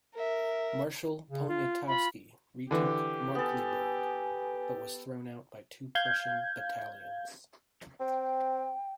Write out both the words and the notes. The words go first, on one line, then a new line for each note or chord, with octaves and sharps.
Marshal Poniatowski retook Markkleeberg, but was thrown out by two Prussian battalions.
A#4 E5
C#3
F4
F4 B5
D3 E3 G4 D6
B3 A4 G#5
F5 G6 G#6
C4 G5